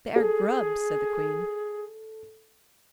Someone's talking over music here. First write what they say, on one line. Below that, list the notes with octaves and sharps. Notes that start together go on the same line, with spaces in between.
"They are Grubs," said the Queen.
G#4 A4